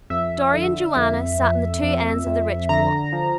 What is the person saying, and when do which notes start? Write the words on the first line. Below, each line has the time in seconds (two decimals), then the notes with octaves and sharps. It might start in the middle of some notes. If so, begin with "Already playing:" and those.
Dorry and Joanna sat on the two ends of the ridge-pole.
0.10 F2 E5
0.54 D3
0.96 F2
1.40 F2
1.83 F2
2.27 F2
2.69 D3 A#5
3.13 F3